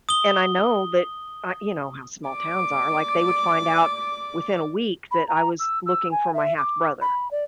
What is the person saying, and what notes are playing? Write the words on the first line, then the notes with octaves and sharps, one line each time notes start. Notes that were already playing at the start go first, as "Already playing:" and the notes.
and I know that, I you know, how small towns are, like they would find out within a week that I was looking for my half brother
D#6 G7
D5 D6
B5
A#5
E6
E6
G#5
E5
D6
B5
D5